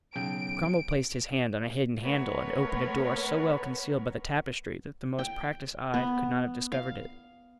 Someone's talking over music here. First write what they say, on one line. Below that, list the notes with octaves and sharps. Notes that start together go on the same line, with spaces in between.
Cromwell placed his hand on a hidden handle and opened a door so well concealed by the tapestry that the most practiced eye could not have discovered it.
B1 C#3 G5 D7
A3 B3 A#4 B4 C#5
G5
B3
F5